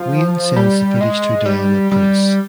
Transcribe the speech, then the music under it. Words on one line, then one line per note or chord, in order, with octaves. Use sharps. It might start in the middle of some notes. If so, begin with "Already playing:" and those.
Wayne sends the footage to Diana Prince.
Already playing: F3
G3
G#3
G3
G3